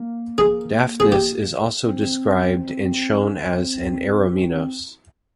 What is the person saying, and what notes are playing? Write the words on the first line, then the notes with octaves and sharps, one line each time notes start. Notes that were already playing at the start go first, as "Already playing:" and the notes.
Daphnis is also described and shown as an eromenos.
Already playing: A#3
G#4
G#4
G4
C4
C#4
C4